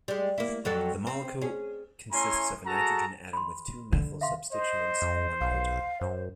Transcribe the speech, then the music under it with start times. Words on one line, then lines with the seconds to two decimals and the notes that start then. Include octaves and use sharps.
The molecule consists of a nitrogen atom with two methyl substituents and one proton.
0.08 G3 G#3
0.38 A#3 E4
0.65 F2 F#3 A4
1.07 C4
1.42 C#4 G#4
2.12 A3 C#4 E4 G#5 A#5 C6
2.66 F#4 G#4 A4 A5 A#5
3.33 B5 C6
3.92 D3
4.21 E5 F5 C6
4.52 C5 D#5
5.02 F2
5.41 B1 F5
6.01 F#2 C5